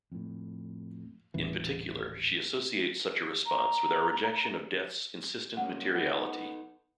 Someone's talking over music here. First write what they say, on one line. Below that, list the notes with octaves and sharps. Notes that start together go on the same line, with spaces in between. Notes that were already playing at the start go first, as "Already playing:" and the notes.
In particular, she associates such a response with our rejection of death's insistent materiality.
F2 A2
D#1 A1 E3
A#5
G3 A#3 C#4 F#5
B3 D#4 A4